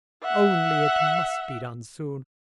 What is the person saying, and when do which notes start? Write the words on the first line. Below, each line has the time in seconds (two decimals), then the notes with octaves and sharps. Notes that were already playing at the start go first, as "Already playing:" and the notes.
Only it must be done soon.
0.23 E5 F#5